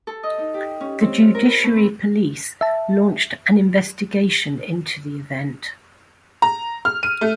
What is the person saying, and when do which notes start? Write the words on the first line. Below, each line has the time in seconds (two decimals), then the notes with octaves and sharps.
The Judiciary Police launched an investigation into the event.
0.07 A4
0.23 D#5
0.38 D#4
0.54 G4
0.80 C#4
1.01 C4
1.22 F4
1.35 A#4
1.46 B4
1.63 A3
1.76 C4
2.61 E5 A5
6.42 A#5
6.85 F6
7.03 D#7
7.21 A3